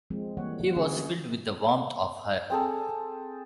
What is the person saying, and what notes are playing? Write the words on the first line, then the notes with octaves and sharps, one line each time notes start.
He was filled with the warmth of her.
F3 G#3 C4
E3 G3 A#3 C#5 F#5
A3 F#5
D3 C#4 F4 G#4
C4 G#4 A4